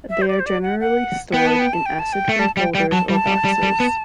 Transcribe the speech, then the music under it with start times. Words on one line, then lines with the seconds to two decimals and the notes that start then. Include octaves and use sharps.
They are generally stored in acid-free folders or boxes.
0.10 E5
0.22 C5
0.28 D5
0.40 C5
0.46 D5
0.63 F#5
0.80 F#5
1.33 B3 G5
1.47 A5
1.59 G5
1.73 A5
1.86 G5
1.99 A5
2.13 G5
2.29 A3
2.39 G3 A5
2.57 G3 G5
2.74 G3 G5
2.91 F#3 A5
3.09 G3
3.14 A5
3.27 G3
3.45 G3
3.63 G3
3.80 B3